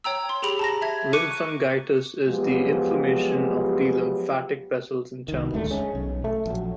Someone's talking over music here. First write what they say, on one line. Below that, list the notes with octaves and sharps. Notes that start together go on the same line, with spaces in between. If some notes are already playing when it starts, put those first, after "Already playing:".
Lymphangitis is the inflammation of the lymphatic vessels and channels.
C#5 G5 A#5 E6
C6
G4 G#4 G5 B5 F7
A5 A#5 A#6
E5 G#6
C#6 D6 F#6 C#7 D#7
F3 F#3 G#3 B3 F4 G4
C2 D#3
D#1 G#2 D3 A3
G#3 C#4
B1
A3
A#1 F#3